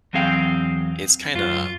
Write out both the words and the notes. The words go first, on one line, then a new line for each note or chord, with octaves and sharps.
it's kinda
E2 F#3 C4 G#4 F5 G5
F#2 F4